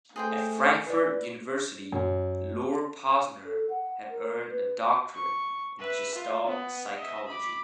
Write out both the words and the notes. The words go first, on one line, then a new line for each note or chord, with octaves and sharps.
At Frankfurt University Lore Posner had earned a doctorate in Gestalt Psychology.
A3 G#4 C5 G5
E4 B4 D5
F#2
A4
F#5
A#4
B4
C#6
B4 E5
F4
B3
D#5 E5
B5 D6